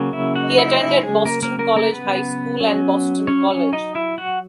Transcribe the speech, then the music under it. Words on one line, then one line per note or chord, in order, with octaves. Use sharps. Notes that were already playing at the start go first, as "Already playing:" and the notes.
He attended Boston College High School and Boston College.
Already playing: C#3 F#3 A#3 C#4
E4 E5
F#4 F#5
E4 E5
E4 E5
G#3 G#4
A#3 A#4
A#3 A#4
A#3 A#4
A#3 A#4
B3 B4
F#3 C#4
C#4 C#5
C#4 C#5
D#4 D#5
E4 E5
F#4 F#5